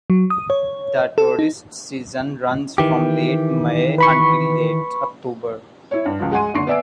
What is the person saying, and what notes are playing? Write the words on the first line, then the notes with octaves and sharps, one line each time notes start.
The tourist season runs from late May until late October.
F#3
D#6
C#5
A4
D#4
D#3 E3 G4
B4 B5 C#6
E4 C#5
G2
C#2 F3
G#3 F#5 G#5 C6 D#7
F#1 D3 C6 C#6 C7
B3 D5 E5 G#5 E6 D7